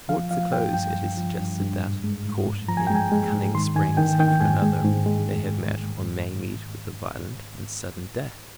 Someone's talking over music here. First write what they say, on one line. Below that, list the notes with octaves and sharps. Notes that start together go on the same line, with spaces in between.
Towards the close it is suggested that, caught in a cunning spring set for another, they have met, or may meet, with a violent and sudden death.
F3 F5
F3 F5
G2 G5
G2 G5
G2
F3
G2
G2
G#2
G#3
G#2
G#2
F3 A#5
G#5
G#3 G5
G#5
G#3
G#2
D#3 C6
D#3 G#5
D#3 G5
D#3 G5
G#2 G#5
G#3
G#2
G#3